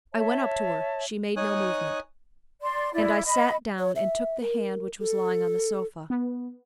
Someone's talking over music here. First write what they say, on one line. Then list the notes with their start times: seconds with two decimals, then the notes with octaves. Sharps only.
I went up to her; she made no movement, and I sat down and took the hand which was lying on the sofa.
0.13 C#5 E5 A5
1.36 D#4 C#5 G#5 D#6 F#6
2.62 D5 C6
2.93 E4 D5
3.24 D#5 B5
3.79 C#5
3.96 E5
4.41 A#4
4.99 A4
6.10 B3